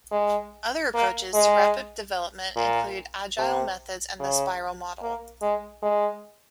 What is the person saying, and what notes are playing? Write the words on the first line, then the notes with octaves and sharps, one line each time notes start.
Other approaches to rapid development include Agile methods and the spiral model.
G#3
A#3
G#3
A#2
C3
C#3
A#3
G#3
G#3